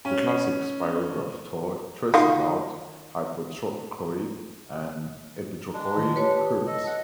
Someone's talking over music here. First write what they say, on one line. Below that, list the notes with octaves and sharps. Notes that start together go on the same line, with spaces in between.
The classic Spirograph toy traces out hypotrochoid and epitrochoid curves.
C#4
D#3 F4 F#4
G#3 D4
D#3
G4 B4 C#5 A5
A4 D#5
F#5